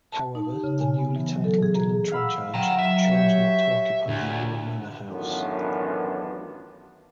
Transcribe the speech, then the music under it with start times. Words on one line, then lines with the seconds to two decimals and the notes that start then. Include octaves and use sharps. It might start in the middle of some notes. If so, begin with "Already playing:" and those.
However, the newly titled Dillon-Trenchards chose not to occupy the newer manor house.
0.12 A5
0.35 D#4
0.50 G4
0.64 C#3
0.80 G#5
0.99 B3
1.16 E3
1.30 F#3
1.44 A4
1.63 G#4
1.75 A#5
2.12 F5 B5 E6
2.54 F#3 G5 A#5
2.79 E5
3.12 G4 C#5
3.61 C#6
4.08 D2
5.08 A1 F#2 D#3 B3 D4 F4